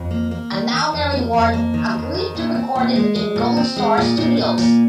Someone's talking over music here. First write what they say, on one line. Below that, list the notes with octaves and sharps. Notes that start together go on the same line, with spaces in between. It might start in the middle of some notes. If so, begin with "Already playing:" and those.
A now-married Ward agreed to record it in Gold Star Studios.
Already playing: F2
A#3
A#3
D#3
D#3
F2
A#3
F2
A#3
D#3
F2
D#3
A#2
C4
A#2
G#3
G#3
A#2
C4
G#3
A#2
A#2
A#2
A#2